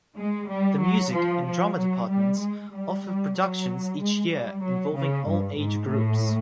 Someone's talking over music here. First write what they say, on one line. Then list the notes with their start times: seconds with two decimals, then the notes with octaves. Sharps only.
The Music and Drama departments offer productions each year involving all age groups.
0.18 G#3
0.50 G3
0.82 F#3
1.14 F3
1.46 F3
1.77 F#3
2.09 G3
2.41 G#3
2.73 G3
3.05 G3
3.36 F#3
4.00 G#3
4.32 G3
4.64 F#3
4.95 C#3
5.28 G2
5.59 G#2
5.91 A2